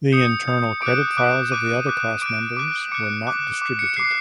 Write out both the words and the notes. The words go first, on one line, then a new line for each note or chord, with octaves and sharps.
The internal credit files of the other class members were not distributed.
D#6 G6 C#7
D#6 G6
D6 F#6 D7
D6 F#6
D6 F#6 D#7
D6 F#6
D6 F#6 D7
D6 F#6
D6 F#6 C#7
D6 F#6
D6 F#6
C#7
D6 F#6 C7